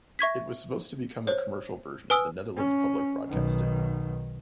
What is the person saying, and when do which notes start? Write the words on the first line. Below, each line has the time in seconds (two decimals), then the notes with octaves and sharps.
It was supposed to become a commercial version of the Netherlands Public Broadcasting.
0.19 E5 C#6 G#6 B6
1.27 C5 C#5
2.10 B4 G#5 D#6 E6 G7
2.56 C#4
3.29 B1 D#3